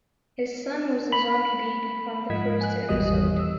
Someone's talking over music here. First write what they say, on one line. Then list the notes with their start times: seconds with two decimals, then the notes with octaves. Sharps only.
His son was the zombie baby from the first episode.
1.12 B5 B6 F#7
2.30 G#2 F3 D#5 F#5 G#6 B6
2.61 G#5 F#6
2.89 G#1 E2 B2 G3 D#5 D#6
3.39 E6